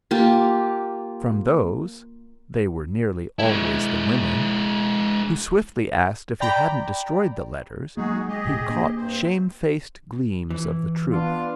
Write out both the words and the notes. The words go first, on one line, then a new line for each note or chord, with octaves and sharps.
From those--they were nearly always the women--who swiftly asked if he hadn't destroyed the letters, he caught shame-faced gleams of the truth.
A#3 F4 G4
G#3 E4
D5 G5 A#5 B5
F#3 G#3 A#3 D#4 F#4 G#4
G#3 G4 G#4 D#5
E1 A2 D3
A#3 D4
G2 C4 C5
E3
B3 D4 F4